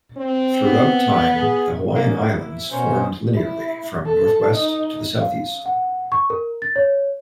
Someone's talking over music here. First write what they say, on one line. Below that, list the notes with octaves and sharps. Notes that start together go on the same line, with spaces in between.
Throughout time, the Hawaiian Islands formed linearly from northwest to the southeast.
C4
B3
G#4
B1 C#3 A#3 C#4
E4
B2 C#4 F#4 A#4 C5 C#5
E4
A4
D#4
F5
F#5
C#6
A#4
A6
C#5